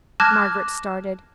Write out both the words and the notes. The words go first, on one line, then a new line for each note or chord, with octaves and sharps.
Margaret started.
A5 D6 F6 F#6 G#6 A#6